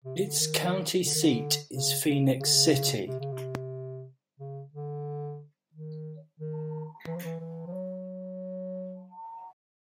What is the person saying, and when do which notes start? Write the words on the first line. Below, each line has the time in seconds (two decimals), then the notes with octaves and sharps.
Its county seat is Phenix City.
0.04 C3
0.16 C#3
0.27 D3
0.39 D#3
1.06 D3
1.14 D#3
1.22 D3
1.73 C#3
2.07 C#3
2.40 C#3
2.47 D3
2.54 C#3
3.06 C3
3.19 C#3
3.32 C3
4.39 C#3
4.74 D3
5.74 D#3
6.40 D#3
7.07 E3
7.16 F3
7.24 E3
7.40 E3
7.66 F3
7.73 F#3